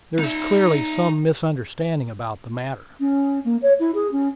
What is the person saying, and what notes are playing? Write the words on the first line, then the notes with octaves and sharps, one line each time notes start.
"There is clearly some misunderstanding about the matter."
D#4 E5
C#4
A#3
C#5
E4
G#4
C#4